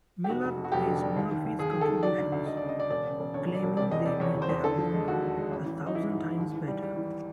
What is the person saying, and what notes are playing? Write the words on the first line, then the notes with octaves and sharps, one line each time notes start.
Miller praised Murphy's contributions, claiming they made the album "a thousand times better".
G4
F1 F#4
F1
F2
F#4
F1 G4
D3
G3
D#2
D#3
D#2
D#2 G#4
D#3 G#4
A4
D#3
F#3 D5
D2
D2
D2 D#5
D5
C#3
D#5
C#3 D5
E1 D5
C#3
E1
D2 C#5
F#3
D5
E1
C3 D5
E2 D#5
C3 D5
E2 C#5
E2
C5
E2
D3 A4
F3
G#3
D#2 F#4
D#2
G#3
A1
E3
A1
D#4
E3 E4
G#2
G#2
D#2
E3
G3
G3
E3